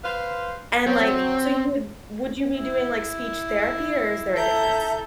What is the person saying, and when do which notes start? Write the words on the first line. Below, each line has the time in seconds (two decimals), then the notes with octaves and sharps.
and, like, so you would would you be doing, like, speech therapy, or is there a difference?
0.04 B4 C5 F5
0.86 F#3 C4
2.57 E4
4.36 A4 E5 A#5 G6